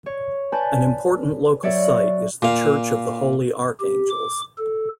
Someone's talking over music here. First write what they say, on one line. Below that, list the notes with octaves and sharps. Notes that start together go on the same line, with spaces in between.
An important local site is the Church of the Holy Archangels.
C#5
B4 D5 G#5 A5 G6
F#3 C#5 D5 E5
A#2 F5
G4
D6
A4